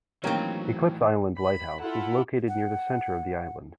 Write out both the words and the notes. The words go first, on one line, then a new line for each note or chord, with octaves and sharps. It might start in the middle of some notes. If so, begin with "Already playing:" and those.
Eclipse Island Lighthouse is located near the centre of the island.
A2 D#3 E3 F#3 A#3 C4 C#4
B5
E4 F4 A4 F#5 B5
F#5